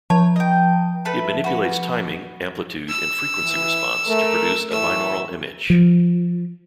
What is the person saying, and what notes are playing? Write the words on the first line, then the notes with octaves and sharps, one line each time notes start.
It manipulates timing, amplitude and frequency response to produce a binaural image.
F3 C#5 A5
D#5 G5
A3 A4 B4
F#4 B4
E6
E3
A3 A#4
A2 E3 A3 E6
F3